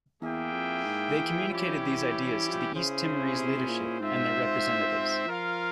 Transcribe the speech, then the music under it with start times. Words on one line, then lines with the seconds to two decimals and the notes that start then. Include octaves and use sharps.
They communicated these ideas to the East Timorese leadership and their representatives.
0.21 E2 A#3 E4 G#4 E5 G5
0.53 F2
0.85 G#2
1.16 E3
1.47 F3 G3 C#4 E4 G4 C#5
1.79 E3
2.50 F3
2.62 E3
2.73 C#3 C#4 E4 G#4 C5
3.37 C3
3.68 A#2
3.99 G#2 C4 F4 C5 E5
5.26 F3 F4 A#4 F5